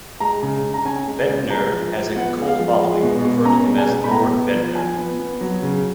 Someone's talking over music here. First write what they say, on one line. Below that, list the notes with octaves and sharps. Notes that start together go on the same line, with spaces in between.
Bendtner has a cult following who refer to him as "Lord Bendtner".
G#3 A#5
C#3
C#3
A#5
C#4 G#5
G#3
C#3
G#3 A#5
F3
F3
B3 F#5
G#3
F5
F3
G#3
B2
B2
C#4 A#5
G#3
G#5
B2
B5
B3 A#5
B3
F3
F3 G#5
B3
B3
F#3
C#3